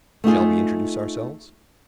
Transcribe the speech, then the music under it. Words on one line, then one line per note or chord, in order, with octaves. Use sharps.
Shall we introduce ourselves?
A3 D#4 F4 G#4